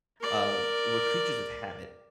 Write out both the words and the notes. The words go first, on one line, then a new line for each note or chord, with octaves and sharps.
uh, we're creatures of habit,
A#4 D5